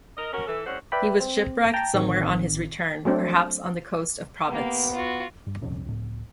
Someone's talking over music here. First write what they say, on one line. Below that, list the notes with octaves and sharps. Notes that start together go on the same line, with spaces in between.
He was shipwrecked somewhere on his return, perhaps on the coast of Provence.
A#4 D#5
C#4 F#4 A#4
E3 A4
A2 G3 C#4 C5 F#5
B4 D5 E5 G5 B5
C4
G5 A5 A#5
A1 D#3 C4
F#3 A3 C4 D4
A#3 B3 G4
F4 F#4
G2
D#1 C2 F2 C#4
C#2 A2